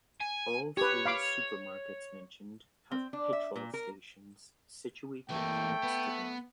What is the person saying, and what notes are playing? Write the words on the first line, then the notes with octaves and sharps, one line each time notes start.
All three supermarkets mentioned have petrol stations situated next to them.
G#5
G4 B4 C#5
F5 B5 D6
C4
D4
E5
A#2
A#4
E3 A3 A#3 G5
B3